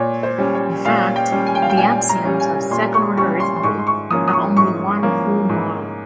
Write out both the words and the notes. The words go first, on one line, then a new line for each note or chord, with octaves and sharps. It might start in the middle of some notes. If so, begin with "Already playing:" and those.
In fact, the axioms of second-order arithmetic have only one full model.
Already playing: A#2 C#5
C5
G3 C#4
C#5
A#2 F5
G5
G3 C#4
G#5
G5
F5
G5
A#2 G#5
A#5
G3 C#4
G#5
A#2 C6
C#6
G3 C#4 C#6
C6
C6
G#2 C#6
C6
C#6
F3 A#3 C#4 D#6
D#6
C#6
G#2 C#6
F3 A#3 C#4
G#2